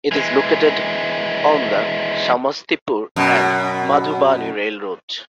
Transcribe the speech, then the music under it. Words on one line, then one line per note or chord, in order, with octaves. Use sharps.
It is located on the Samastipur and Madhubani rail route.
E3 G#3
F#2 B2